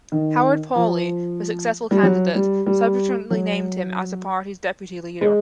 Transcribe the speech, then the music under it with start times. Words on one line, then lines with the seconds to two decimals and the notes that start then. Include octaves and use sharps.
Howard Pawley, the successful candidate, subsequently named him as the party's deputy leader.
0.12 D#3
0.76 F3
1.91 G3
2.03 F#3
2.35 G3
2.66 G3
3.31 F#3
5.21 G#3